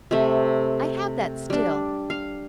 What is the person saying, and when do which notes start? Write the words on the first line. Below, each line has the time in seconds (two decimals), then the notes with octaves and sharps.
'I have that still.
0.11 C3 A3
1.50 G3 D4
2.10 F5